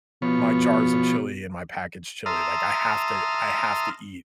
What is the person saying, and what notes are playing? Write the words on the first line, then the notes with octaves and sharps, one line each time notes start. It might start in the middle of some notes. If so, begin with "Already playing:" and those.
my jars of chili and my packaged chili, like, I have to I have to eat.
B2 F3 B3 C#5
E5 A5 A#5 C6 D#6 F6